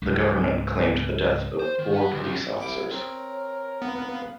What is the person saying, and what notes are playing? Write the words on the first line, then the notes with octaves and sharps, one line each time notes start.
The government claimed the death of four police officers.
C#2 G#2 C#3
C5
D#3
B4 F#5
D2
F#3 D#4
C2 E4 D6
C4 A#4 C#5
B3 F5